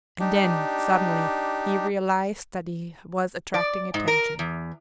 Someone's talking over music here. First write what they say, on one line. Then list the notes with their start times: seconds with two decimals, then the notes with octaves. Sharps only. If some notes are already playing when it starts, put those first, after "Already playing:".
And then, suddenly, he realised that he was attracting attention.
0.20 D4 D#4 G4
3.54 D5
3.94 G#2
4.08 A#4
4.39 E2